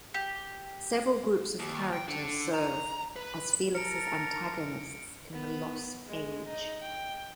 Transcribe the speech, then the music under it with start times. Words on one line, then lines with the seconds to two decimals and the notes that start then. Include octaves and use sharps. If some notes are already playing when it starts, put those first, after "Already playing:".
Several groups of characters serve as Felix's antagonists in "The Lost Age".
0.14 G4
1.59 D#2
1.93 G5
2.08 D3
2.53 A#5
3.16 B4
3.75 A#4 A5 A#5 C#7 D7
5.33 B3
6.08 G#3
6.48 D#4
6.82 G5